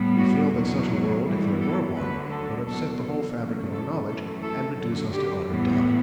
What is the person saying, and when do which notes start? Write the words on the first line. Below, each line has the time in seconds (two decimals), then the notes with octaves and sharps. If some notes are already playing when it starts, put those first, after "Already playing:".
We feel that such a world, if there were one, would upset the whole fabric of our knowledge and reduce us to utter doubt.
Already playing: A2 G3 B3
0.19 F#4
0.54 E2 B2 F#3
1.25 G2 E3 G3 B3
1.60 A4
1.95 D2 D3 F#3 B4
2.30 A4
2.66 E2 B2 F#3 A4
3.02 A4
3.37 E2 C#3 F#3 A3
3.72 A4
4.07 F#2 E3 A3 A4
4.43 A4
4.78 F#2 D3 F#3 A4
5.13 G4
5.49 A2 E3 G3 B3